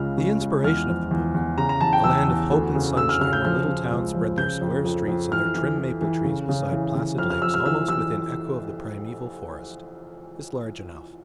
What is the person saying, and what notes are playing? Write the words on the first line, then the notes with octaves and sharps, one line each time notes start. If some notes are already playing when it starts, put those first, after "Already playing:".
The inspiration of the book,--a land of hope and sunshine where little towns spread their square streets and their trim maple trees beside placid lakes almost within echo of the primeval forest,--is large enough.
Already playing: C#2 C#3 F6
C#3
C#2
E2 F6
F3
E2
E2
C#3 A#5
A#5
E2 A5
G5
E2 E6
E2
D2
C#3
D2 E6
F6
C#3 F6
G6
F3 F6
C#3
C#2
F3
C#3 G6
F2
F2
F2
E3 F6
E3
E3
E3
C#3
C#3
E3
C#3
F2 F6
F6
F2 E6
F6
E3 E6
E3 E6